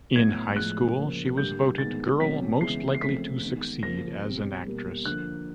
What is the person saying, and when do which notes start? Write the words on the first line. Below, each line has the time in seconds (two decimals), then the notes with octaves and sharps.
In high school she was voted Girl Most Likely to Succeed as an Actress.
0.15 A2 F#3 B3 G#6
0.56 A2 F3 G#3 F#6
0.97 C#3 F3 A#3
1.37 D3 G3 A#3 G6
1.78 D#3 G#3 B3 A6
2.20 B2 F#3 A3 C4 B6
2.61 C#3 E3 G#3 B3 C7
2.94 C7
3.01 C#3 F3 A3 C4 B6
3.43 D#3 G#3 B3
3.83 C#3 F3 A#3 A#6
4.24 B2 G3 C4
4.65 B2 G3 A#3
5.05 D3 F3 A#3 F#6